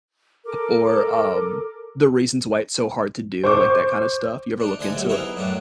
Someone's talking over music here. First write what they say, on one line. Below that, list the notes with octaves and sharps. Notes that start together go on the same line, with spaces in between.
or um, the reasons why it's so hard to do, like, that kinda stuff? You ever look into it?
A4 A#4 D6
C5 C#6 D6
D4 D#4
D2 D3 A4 D#5 G#5 D#6
C3 F#3
B3 C4 D#4 E4 G#4 A#4
F#2 A2 F#3 D4